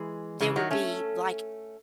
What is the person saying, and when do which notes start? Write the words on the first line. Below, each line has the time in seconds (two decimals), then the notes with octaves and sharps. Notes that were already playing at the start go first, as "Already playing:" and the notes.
there would be, like,
Already playing: E3 G#3
0.41 C#3 E3
0.56 D#3 F#3
0.71 A3 C#4